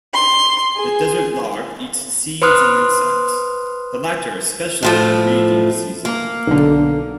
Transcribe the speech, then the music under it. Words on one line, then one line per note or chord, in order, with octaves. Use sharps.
The desert lark eats seeds and insects, the latter especially in the breeding season.
C6
G#4
B4 C5 C6 D#6 F6 F#6
A2 F3 A3
A#3
B1 D3